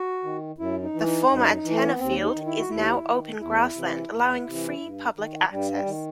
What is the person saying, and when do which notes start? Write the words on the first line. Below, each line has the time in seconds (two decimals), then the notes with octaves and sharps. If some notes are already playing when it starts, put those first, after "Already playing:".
The former antenna field is now open grassland allowing free public access.
Already playing: F#4
0.24 D#3
0.58 F#2 E4
0.83 D#4
0.94 E3
1.05 D#4
1.29 F#2
1.64 E3
1.71 A3
1.85 B3
1.99 D#2 C4
2.23 D#4
2.34 D#3
2.46 E4
2.59 F#4
2.69 D#2 E4
3.04 D#3
3.40 E2 E4
3.75 C3 E3
4.09 E2
4.45 C3 E3
4.80 G2
5.16 D#3
5.51 G2 G3
5.74 G3
5.85 D#3